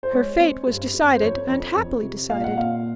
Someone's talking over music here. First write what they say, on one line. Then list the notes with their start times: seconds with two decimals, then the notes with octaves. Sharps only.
Her fate was decided and happily decided.
0.03 C5
0.12 G#3 C#5
0.39 C4
0.67 G2
0.94 G2
1.16 C5
1.22 F2 C#5
1.48 F2
1.76 F2
2.03 C3
2.30 A#2 F5
2.44 F#5
2.58 A#2 F5